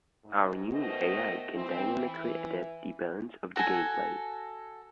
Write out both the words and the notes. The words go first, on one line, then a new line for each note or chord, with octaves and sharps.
Our new AI can dynamically adapt the balance of the gameplay.
G#2
B2 D#3 A3 B3 C5 D#5
E3 C4
E3
F#4 A4 G#5